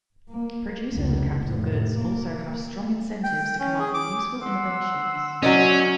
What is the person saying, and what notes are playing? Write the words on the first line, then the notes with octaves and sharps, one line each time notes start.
Producers of capital goods also have strong incentives to come up with useful innovations.
A#3
F1 C#2
F1 A2
A#3
G5
C#4
G#4
D6
F#5 C6 E6
F#3 C#4 D5 D#5